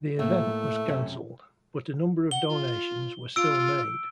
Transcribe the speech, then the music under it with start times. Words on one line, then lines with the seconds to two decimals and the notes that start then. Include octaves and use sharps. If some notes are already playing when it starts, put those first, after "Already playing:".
The event was cancelled, but a number of donations were still made.
0.19 A2 A3 A#3
0.88 F#2 C3 C#4
2.31 F#5 G7
2.49 F4
3.36 F4 E6 D7